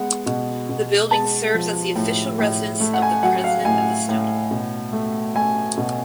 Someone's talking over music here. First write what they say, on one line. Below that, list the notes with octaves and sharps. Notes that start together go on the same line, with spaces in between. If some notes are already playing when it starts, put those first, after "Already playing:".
The building serves as the Official residence of the President of Estonia.
Already playing: G#3 B3 F#5
B2
B2
G#3 A5
F3
A2
A2
A3
F#5
G#5
F#3 F#5
F5
A2 G#5
A2
B2
A3
A3 G#5
B2